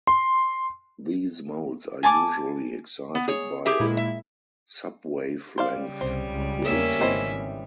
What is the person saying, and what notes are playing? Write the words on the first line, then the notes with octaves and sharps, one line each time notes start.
These modes are usually excited by a subwavelength grating.
C6
G#5 A5 C6 D6
B3
G#4 C#5
G4 G#4 E5
A#2 G#3 E4
E5
C#3 G3 C5 D5 F5
C2 C4
C#2
E2 A#3 C#4 E5
G#1 E3 C4 D#5